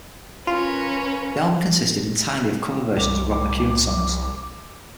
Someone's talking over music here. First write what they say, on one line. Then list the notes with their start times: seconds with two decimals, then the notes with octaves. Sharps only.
The album consisted entirely of cover versions of Rod McKuen songs.
0.47 C#4 F4 A#4 B4
2.97 C2 D6